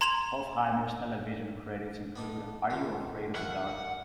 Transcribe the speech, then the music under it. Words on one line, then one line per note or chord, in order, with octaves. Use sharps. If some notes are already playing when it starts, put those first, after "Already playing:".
Hofheimer's television credits include Are You Afraid of the Dark?
A#5 C6 G#6 E7 F7
B3 D4 D#4
C#2 D3 D#3
D#2 E4 F5 F#5